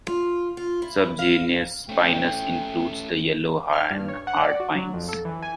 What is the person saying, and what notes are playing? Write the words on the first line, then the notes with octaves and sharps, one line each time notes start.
Subgenus "Pinus" includes the yellow and hard pines.
F4
F4
E4
F5
A3 C#4 G5
F6
G2
C#5
F#5
D5
F#4
F#3
F2
A4
E3
G#5